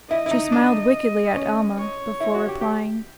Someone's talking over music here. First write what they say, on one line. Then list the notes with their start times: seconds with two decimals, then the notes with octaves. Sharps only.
She smiled wickedly at Alma before replying.
0.10 E4 D#5
0.26 E4
0.31 D#4
0.52 D4
1.36 C#4
1.78 C#5
2.20 E4
2.34 F#4
2.48 G4
2.61 G4